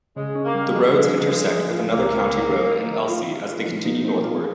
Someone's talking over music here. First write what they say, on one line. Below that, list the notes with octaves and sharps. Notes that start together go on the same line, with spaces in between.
The roads intersect with another county road in Elsey as they continue northward.
C#3 G#3
C#4
A#3
G3
F3 G#3
C#3
F3
F3
F3
F4
C#2 A#3
G#3
C#2
D#3
D#3
D#3
F4
D#3
F4
F3
D#4
C4
F4